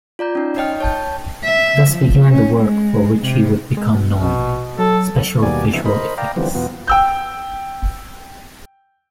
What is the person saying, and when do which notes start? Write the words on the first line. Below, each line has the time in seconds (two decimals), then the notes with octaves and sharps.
Thus began the work for which he would become known-special visual effects.
0.19 F4 D5 A#5 G6
0.35 C#4 D#4
0.56 D#4 C#5 D#5 G5 F6
0.81 C#5 A5 G6
1.45 E5
1.90 F3
2.30 C#4
2.60 G#3
3.22 C3
3.77 G#3
3.95 B2
4.14 A#1 B2
4.79 F#3 A4
5.42 D#2 B2 G3 A#3 D5 G#5
5.73 C#3 F3 B3 D#4 G#4 E5
5.85 A#4 C5 D#5 B5
6.18 D5 F5 G5 A#5
6.36 D3 E3 F3 G3 B3 C4
6.55 E2 B2 B3 F4
6.87 G5 E6 G6